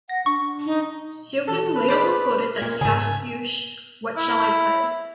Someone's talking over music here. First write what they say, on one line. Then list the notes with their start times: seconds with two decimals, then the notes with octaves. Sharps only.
Serkin later reported that he asked Busch, What shall I play?
0.09 F#5 A#6
0.26 D4 C#6
0.65 D#4
1.48 E3 A4
1.76 B4
1.89 G#4 C5 D5 B5
2.28 A#4
2.57 A#2 G#6
2.81 G#2 C#3 G#5
4.17 E4